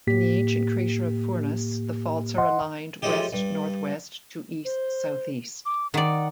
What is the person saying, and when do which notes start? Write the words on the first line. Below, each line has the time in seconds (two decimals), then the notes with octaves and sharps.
In the ancient crater of Furnas the faults are aligned west-northwest to east-southeast.
0.07 A2 A#3 G4 B6
2.38 D#5 F#5 C6
3.02 F3 G#3 A3 C#4 D#4 G4
3.33 G2
4.65 C5
5.66 D6
5.94 D#3 D5 F#5